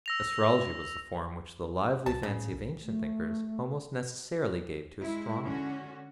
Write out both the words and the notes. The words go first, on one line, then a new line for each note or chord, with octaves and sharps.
Astrology was the form which the lively fancy of ancient thinkers almost necessarily gave to astronomy.
E6 A#6 F7
C2 G3 A5
A2 C#3
B1
A3
G#3 E4
D3 C#4 F#4